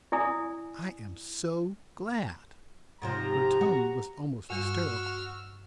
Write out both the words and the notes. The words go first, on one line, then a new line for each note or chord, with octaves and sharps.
"I am so glad!" Her tone was almost hysterical.
E4 D5 G#5 D#6
G#2 C3 F3 A#5
F#4
G2 G3 F#4 E6 F6